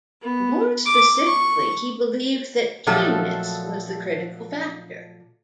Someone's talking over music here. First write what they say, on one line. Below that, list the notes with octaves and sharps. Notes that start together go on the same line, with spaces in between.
More specifically, he believed that tameness was the critical factor.
B3
D6
C#6
A#2 F3 F#3 A3 A4